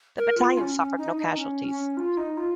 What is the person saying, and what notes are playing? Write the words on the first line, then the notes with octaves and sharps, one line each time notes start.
The battalion suffered no casualties.
A#4
F4
C#4
C#4
D#4
D#4
C#4
C#4
F4
D#4
F4